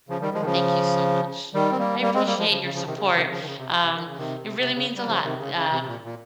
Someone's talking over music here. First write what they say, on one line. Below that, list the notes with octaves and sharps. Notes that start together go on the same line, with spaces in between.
Thank you so much. I appreciate your support. Um, it really means a lot, uh,
C#3 F3
D#3 G3
F3 G#3
D#3
C#3 F3
D#3 G3
C4
G3 A#3
G3 A#3
G#3 C4
G3 A#3
F3 G#3
C#3 F3
C#3
C#3 F3
C3 D#3
C#3
C3 D#3
C#3 F3
D#3
C#3
C3
C3
D#3
C#3
C3 D#3
C3
C3
C#3
G3
C#3 F3
C3 D#3
C#3
C#3
C3
C3
A#2
A#2